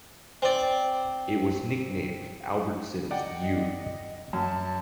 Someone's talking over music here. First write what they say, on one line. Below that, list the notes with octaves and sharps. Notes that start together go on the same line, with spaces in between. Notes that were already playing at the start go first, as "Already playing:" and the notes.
It was nicknamed Albertsons' U.
C4 D5
D5 D#5 F#5 G5
F#2 A5